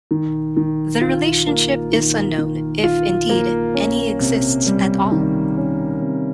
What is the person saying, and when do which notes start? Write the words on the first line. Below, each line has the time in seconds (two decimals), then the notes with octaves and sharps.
The relationship is unknown, if indeed any exists at all.
0.11 D#3
0.57 D#3
1.01 F4
1.47 A#3
1.92 D#3
2.38 D#3
2.83 F4
3.29 A#3
3.74 C#4
4.20 C3
4.66 G3
5.12 D#3
5.57 C#4
6.02 C3